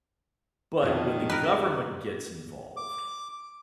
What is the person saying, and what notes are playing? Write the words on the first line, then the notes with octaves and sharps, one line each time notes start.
but when the government gets involved,
F2 B2 D#3 F3
A#4 B4
D6